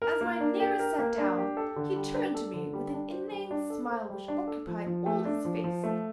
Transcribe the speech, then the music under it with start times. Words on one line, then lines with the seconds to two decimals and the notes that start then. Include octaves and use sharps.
As my neighbour sat down, he turned to me with an inane smile which occupied all his face.
0.02 A#4
0.21 A#3
0.40 D4
0.60 G4
0.79 A#4
0.99 A#3
1.18 D4
1.37 G4
1.57 A4
1.76 D3
1.96 G3
2.15 D4
2.34 A4
2.54 D3
2.73 G3
2.93 D4
3.12 C5
3.31 G3
3.51 D4
3.70 A4
3.89 C5
4.09 G3
4.28 D4
4.47 A4
4.67 F3
4.86 F3
5.06 A3
5.25 D4
5.45 F3
5.64 F3
5.84 A3